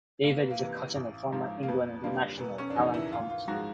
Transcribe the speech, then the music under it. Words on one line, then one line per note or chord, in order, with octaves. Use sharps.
David is the cousin of former England international Alan Thompson.
C2 A#3
B3
A#3
C3 E3
A1
G#2 F3
A#3
F2 B3
D3 G3 A#3
E1 B3
C#4
D4
D#2 C#3 E3 D#4
E4
G#1 F4
F4
G#2 F3 G#3 F#4